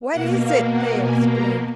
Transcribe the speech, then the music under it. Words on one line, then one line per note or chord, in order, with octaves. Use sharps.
"What is it?" they exclaimed.
B2 A#3 F#5
F5
F#5
G#5
A#5